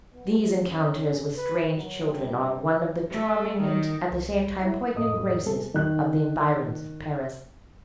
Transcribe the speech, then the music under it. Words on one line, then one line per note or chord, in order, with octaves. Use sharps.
These encounters with strange children are one of the charming and at the same time poignant graces of the environs of Paris.
B3
C#4
B4
F#3
G2
A3
D#3
C2
E4
F2 A2 A4 D#5 D#6
G3 G#3 B3 G#4 A4
D#3 F#6